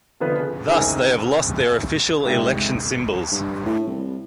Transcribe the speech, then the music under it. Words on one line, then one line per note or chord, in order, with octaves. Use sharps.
Thus they have lost their official election symbols.
F1 D3 F3 B3 B4
C#3
C2 C#3 C4 D#4 G#5
C2 F2 G#2 C3
G2
A2
C2